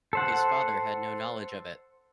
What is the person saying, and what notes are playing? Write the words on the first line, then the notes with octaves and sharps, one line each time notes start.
His father had no knowledge of it.
A4 C5 F#5